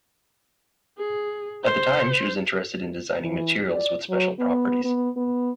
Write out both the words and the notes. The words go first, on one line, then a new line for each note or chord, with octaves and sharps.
At the time she was interested in designing materials with special properties.
G#4
C5
E3
D5
F#3
B3
B3
B3